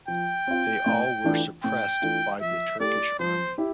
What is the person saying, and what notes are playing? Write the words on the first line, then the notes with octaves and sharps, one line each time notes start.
They all were suppressed by the Turkish Army.
F3 G5
C4 F4
A2
E3 A3 D4 F4
A2 G5
E3 A3 D4 F4
F3 E5
A3 E4 G4 D5
F3 C5
E4 G4